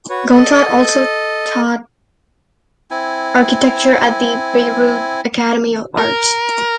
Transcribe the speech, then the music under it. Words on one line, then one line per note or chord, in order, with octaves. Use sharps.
Gontard also taught architecture at the Bayreuth Academy of Arts.
F#4 B4 C#5
A4 D#5
C4 E4 G#5
A#4